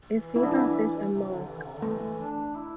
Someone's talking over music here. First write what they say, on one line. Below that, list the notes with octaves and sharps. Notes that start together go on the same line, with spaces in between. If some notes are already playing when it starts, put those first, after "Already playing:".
It feeds on fish and molluscs.
E3
E3 E4
D4
E4
C3
D3
E3
D3
C3
D3
E3 A3
D4
E4